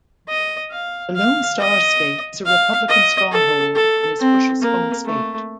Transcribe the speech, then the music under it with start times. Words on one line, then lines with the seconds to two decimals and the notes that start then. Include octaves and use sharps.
The Lone Star State is a Republican stronghold and is Bush's home state.
0.29 D#5
0.71 F5
1.15 F5
1.59 D#5
2.45 F5
2.89 D#5
3.32 A4
3.75 A4
4.19 C4
4.62 A#3
5.06 A3